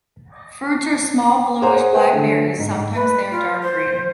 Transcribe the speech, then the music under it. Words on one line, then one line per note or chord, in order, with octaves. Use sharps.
Fruits are small bluish black berries, sometimes they are dark green.
G#4 C5 C#5 F#5 A#5 C6
G#4 B4 C5 F#5 G5
D3 A3
G#2
B4
F4
C5